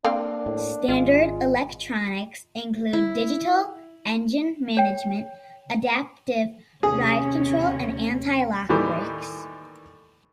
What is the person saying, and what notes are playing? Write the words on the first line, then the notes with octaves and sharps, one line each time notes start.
Standard electronics included digital engine management, adaptive ride control and anti-lock brakes.
A#3 C4 D4 F5 G5
A2
G#1 G#3 F4
E4
C#5 G5
D#2 C3 C#4 G#4
D#2 A2 D#3 E3 G3 A3